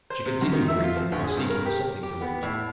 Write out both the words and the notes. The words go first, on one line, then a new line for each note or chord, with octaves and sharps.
She continued reading, or seeking for something to read.
C5
C3
F#2
D#3
E5
F4
F3
D2
G#4
G2
A#4
G4
G4
B3
A2